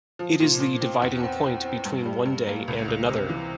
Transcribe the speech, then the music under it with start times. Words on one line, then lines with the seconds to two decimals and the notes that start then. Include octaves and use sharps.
It is the dividing point between one day and another.
0.19 F3
0.40 A#2
0.60 A#2
0.81 C4
1.02 E2
1.23 C4
1.43 C4
1.64 C4
1.85 G2
2.06 G3
2.26 G2
2.47 A#3
2.68 C#2
2.88 C#2
3.09 C3
3.30 E3